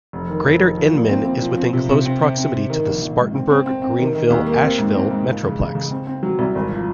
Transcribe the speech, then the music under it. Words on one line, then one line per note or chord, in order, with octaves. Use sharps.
Greater Inman is within close proximity to the Spartanburg-Greenville-Asheville metroplex.
F1
D#3
F1
D#3
F3
A#2
C4
C4
F3
C4
C3
C3
C4
C4
C4
C4
D#3
A#1
A#1
G#2
C4
C4
C4
C4
D#3
D#3
D#2
A#3
C4
G#2
C4
G#2
C#2
C#3
C#3
C#3
C4
C4
F#3
C2
G#1
F3